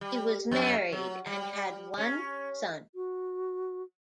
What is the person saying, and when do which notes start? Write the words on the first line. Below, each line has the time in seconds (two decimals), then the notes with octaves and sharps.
He was married and had one son.
0.01 G3
0.51 F2
0.92 F#3
1.27 G3
1.97 C#4
2.95 F#4